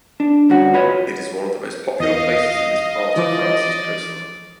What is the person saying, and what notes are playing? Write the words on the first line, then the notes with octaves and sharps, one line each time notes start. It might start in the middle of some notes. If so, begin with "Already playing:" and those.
It is one of the most popular places in this part of France's coastline.
D4
D2 G2 C#4 F#4 F#5
F4 F#4 B4 C#5 D#5
E2 D#5 F5
E3 F3 D5 D6